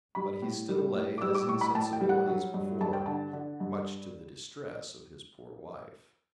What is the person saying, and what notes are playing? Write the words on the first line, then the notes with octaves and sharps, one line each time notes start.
But he still lay as insensible as before, much to the distress of his poor wife.
G3 B5
A2
G3
A2
D6
G3 E6
D6
A2 C#6
B5
A2 A5
G5
G3
F#5
F#3
G2
G2 A5
G5
D3 A5
D3
G2